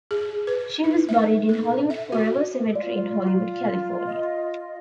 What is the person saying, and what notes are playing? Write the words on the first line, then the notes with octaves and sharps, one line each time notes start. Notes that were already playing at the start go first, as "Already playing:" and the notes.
She was buried in Hollywood Forever Cemetery in Hollywood, California.
G#4
B4
D#4
E5
A4
E5
F#4
F4 D5
D#5